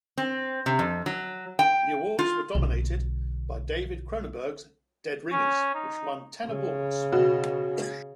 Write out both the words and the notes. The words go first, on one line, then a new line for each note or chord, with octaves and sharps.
The awards were dominated by David Cronenberg's "Dead Ringers" which won ten awards.
C4
C3
F2
F#3
G5
F4
B1 D3
C#4
D#4
C#3
B2